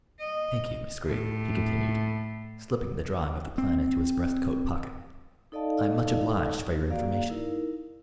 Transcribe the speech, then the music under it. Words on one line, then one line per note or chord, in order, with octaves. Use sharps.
Thank you, Miss Greeb," he continued, slipping the drawing of the plan into his breast coat pocket. "I am much obliged for your information.
D#5
A2
C4
D#4 A4 D5 D#5 F5 A5
A#3 F#4 G#4 D5 F5
D#4 E4 A#4